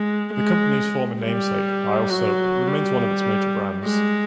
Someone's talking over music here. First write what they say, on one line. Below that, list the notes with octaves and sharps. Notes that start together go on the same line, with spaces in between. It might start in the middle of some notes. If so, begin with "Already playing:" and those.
The company's former namesake, Dial soap, remains one of its major brands.
Already playing: G#3
G#3
G3
F#3
G3
G#3